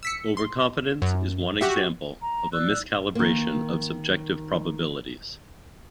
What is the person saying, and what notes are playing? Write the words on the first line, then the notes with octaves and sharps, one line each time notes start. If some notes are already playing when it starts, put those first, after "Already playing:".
Overconfidence is one example of a miscalibration of subjective probabilities.
E6 B6 C#7
C6
F#2
F#4 G4 E5
A#5
D5 E6 F#6
D#3 A#3